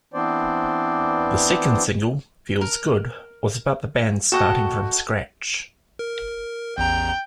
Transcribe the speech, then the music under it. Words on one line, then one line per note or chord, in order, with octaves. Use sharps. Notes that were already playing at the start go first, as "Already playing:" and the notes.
The second single "Feels Good" was about the band "starting from scratch".
E3 B3 C4 D4 C5 D5
A#4
F#4 A4 D#5 F#5 G5 C#6
A#4
A1 E2 G5 A#5